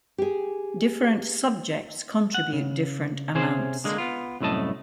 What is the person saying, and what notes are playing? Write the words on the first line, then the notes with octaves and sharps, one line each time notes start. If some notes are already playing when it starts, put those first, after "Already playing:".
Different subjects contribute different amounts.
G4 G#4
F#5
C#3
C3 C#4 G#4 C5
D3 G#3 A#3
B3 F4
C2 F#2 A2 A3 D#5 A5